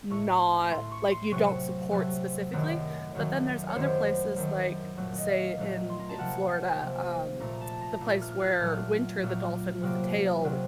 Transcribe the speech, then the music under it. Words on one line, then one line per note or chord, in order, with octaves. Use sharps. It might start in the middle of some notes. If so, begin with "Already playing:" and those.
not like you don't support specifically, but then there's other places, like, say in in Florida, um, the place where Winter the dolphin with the tail
A2 A3 C#6
A2 A3 C6
C#6
C6
C3 F#3 A3 C#6
C3 F#3 A3
F#2 D#3 F#3 A3
F#2 D#3 F#3 A3
C#5
F#2 D#3 A3 C5
F#2 D#3 A3
A#2 F#3 A3
D#5
F5
A#2 F#3 A3
C6
A#5
A5
C3 F3 A#3 F#5
C3 F3 A#3
A#2 A3 A#5
A5
A#5
A#2 A3
F6
F6
F#6
A#2 F#3 A3 F6
A#2 F#3 A3 F6
C3 F#3 A#3
C3 F#3 A#3